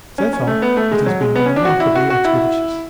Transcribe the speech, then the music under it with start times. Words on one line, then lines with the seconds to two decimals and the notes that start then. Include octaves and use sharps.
So far it has been remarkably expeditious.
0.18 C#4
0.33 C#4
0.47 A3
0.62 B3
0.77 A3
0.92 G#3
1.06 F#3
1.21 G#3
1.35 B3
1.46 C#4
1.56 D4
1.65 F#4
1.80 E4
1.95 F#4
2.10 F#4
2.24 E4